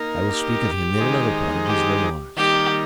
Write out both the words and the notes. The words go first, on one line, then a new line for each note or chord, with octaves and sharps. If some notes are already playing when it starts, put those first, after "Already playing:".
I will speak of him in another part of these Memoirs.
Already playing: A#3 D#4 A#4
G4
D#3 G#3 D#4 G#4 C5
G4
D#3 G3 A#3 D#4 G4